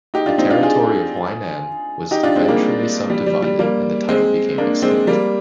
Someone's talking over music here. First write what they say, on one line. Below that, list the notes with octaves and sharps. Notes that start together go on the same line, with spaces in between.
The territory of Huainan was eventually subdivided and the title became extinct.
D#4 G4
D4 F4
C4 D#4
D4 F4
F4 G#4
D#4 G4
D4 F4
G#3 C4
G3 A#3
G3
G3
G3
G3 A#3
G#3 C4
A#3 D4
G#3 C4
G3 A#3